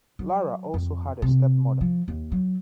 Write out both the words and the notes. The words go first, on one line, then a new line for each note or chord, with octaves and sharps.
Lara also had a stepmother.
F#3
F2
C3
F3
D#2
F#3